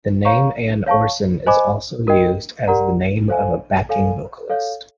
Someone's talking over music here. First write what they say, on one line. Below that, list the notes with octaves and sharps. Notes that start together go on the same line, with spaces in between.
The name Ann Orson is also used as the name of a backing vocalist.
C#5 F5 A#5 C#6
C#5 F5 A5 C#6
C5 D#5 G#5 B5 D6
F#4 A#4 D#5 G5
G4 A#4 D5 F#5 A#5
A4 C5 F5 G#5
A4 C#5 F5 G#5
A4 C#5 F5